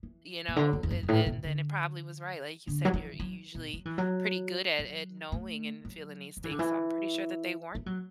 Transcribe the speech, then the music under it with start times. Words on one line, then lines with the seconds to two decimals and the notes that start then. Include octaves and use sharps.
you know, it then then it probably was right, like you said, you're usually pretty good at at knowing and feeling these things, so, I'm pretty sure that they weren't
0.03 E3
0.48 B2
0.56 D3
0.73 E2
0.83 E2
0.91 F#2
1.03 F#2
1.08 A2
1.26 B2
1.44 D3
2.67 D3
2.85 F#3
2.94 E3
3.20 F#3
3.55 B2
3.74 F#3
3.85 E3
3.98 F#3
4.79 F#3
5.32 A3
5.85 F#3
6.37 F#3
6.44 E3
6.51 D3
6.59 E3
7.75 A3
7.86 F#3